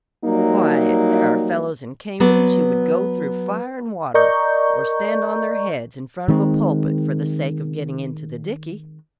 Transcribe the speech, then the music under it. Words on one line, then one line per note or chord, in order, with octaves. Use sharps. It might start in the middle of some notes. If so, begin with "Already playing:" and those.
Why, there are fellows in Cambridge who would go through fire and water, or stand on their heads in front of a pulpit for the sake of getting into the Dicky.
F#3 G3 A#3 D#4
F#3 B3 C#5 D5
A#4 D5 D#5 A#5 C#6 G6
D#3 G#3 C4